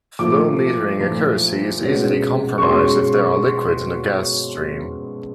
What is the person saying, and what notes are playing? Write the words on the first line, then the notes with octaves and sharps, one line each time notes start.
Flow metering accuracy is easily compromised if there are liquids in the gas stream.
A#2 F3 A3 D6
A#2 F3 A3
B2 G#3 C#4
C#6
B2 G#3 C#4 C6